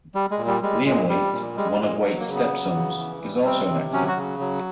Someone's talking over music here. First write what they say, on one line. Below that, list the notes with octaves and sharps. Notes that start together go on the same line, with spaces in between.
Liam Waite, one of Waite's stepsons, is also an actor.
G3
G#3
A#2
G3
G3 G#3
A#2 G#3
G3
A#2
G3 G#3
G3
A#2 G#3
F#3
A#3
C#3
B3
F#3
C#3
E3
G3
C3 C4
C3
F#3 C#4
F#4
C#3
F#3